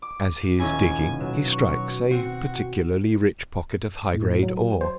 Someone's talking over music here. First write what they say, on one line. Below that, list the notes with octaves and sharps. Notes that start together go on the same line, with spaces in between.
As he is digging he strikes a particularly rich pocket of high-grade ore.
D6
D#1 C#4 E4 G#5
B2 F#3 E7
C#6
C4 F#4
A2
F#3
C5